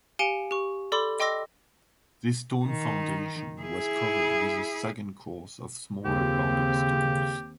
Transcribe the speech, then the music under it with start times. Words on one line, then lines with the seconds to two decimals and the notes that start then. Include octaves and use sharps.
This stone foundation was covered with a second course of smaller rounded stones.
0.19 G4 F5 G#5 C#7 D7 G7
0.51 G4 C#6
0.92 A4 D5 B5 C6 D6
1.20 D#5 G5 C6 D6 E6 A#6
2.65 D#3
3.62 E4 G#4
6.05 D#2 C#3 C4 G4